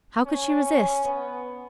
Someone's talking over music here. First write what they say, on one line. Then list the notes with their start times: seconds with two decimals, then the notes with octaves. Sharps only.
How could she resist.
0.26 C#4
0.66 C#4
1.04 B3